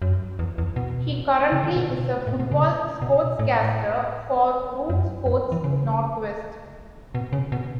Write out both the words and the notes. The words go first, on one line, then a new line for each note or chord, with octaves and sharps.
He currently is a football sportscaster for Root Sports Northwest.
F#2
E2
E2
B2
C#3
D3
B2
A2
B2
C#3
B2
A2
F#2
F#2
E3
C#3
B2
C#3
B2